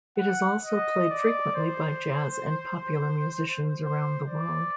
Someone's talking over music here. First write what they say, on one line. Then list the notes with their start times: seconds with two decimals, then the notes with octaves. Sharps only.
It is also played frequently by jazz and popular musicians around the world.
0.18 F#5
0.64 D#5
1.10 D5
1.55 C5
3.82 C5
4.28 D5